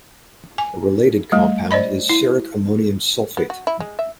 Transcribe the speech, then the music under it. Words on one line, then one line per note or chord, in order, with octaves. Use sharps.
A related compound is ceric ammonium sulfate.
G#5
G3 A3
C5 D5 D#5 B5
E4
B3
F#4
E4
G#3
E5